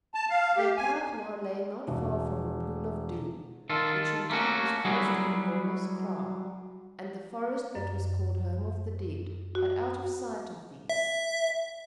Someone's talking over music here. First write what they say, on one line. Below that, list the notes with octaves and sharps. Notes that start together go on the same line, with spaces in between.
Their path now lay not far from the Pool of Doom, which, indeed, was close to Umgona's kraal, and the forest that was called Home of the Dead, but out of sight of these.
A5
F5
G4
G#5
E1
D#3 F4 A4
A3 A#3 C#4 F#4
F#3 G3 E4 F#4 G#4
F#2
F#4
E5